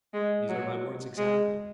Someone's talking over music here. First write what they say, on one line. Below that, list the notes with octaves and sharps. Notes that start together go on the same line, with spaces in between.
"These are my words exactly."
G#3
F#3
G#3